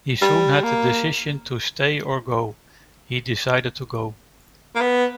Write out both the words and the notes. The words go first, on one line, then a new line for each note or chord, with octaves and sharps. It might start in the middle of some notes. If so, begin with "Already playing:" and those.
He soon had the decision to stay or go, he decided to go.
G3
A#3
A#3
B3